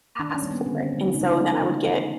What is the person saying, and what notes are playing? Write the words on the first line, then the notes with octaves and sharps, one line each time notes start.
ask for it, and so then I would get
D#3 D4
D4
C#4
G3 A#3
B3
D3 C4
C#4
F3 G#3
D#4
C#3 D#4
D4
D#4
E3 A3 F4
C#3
F3 A#3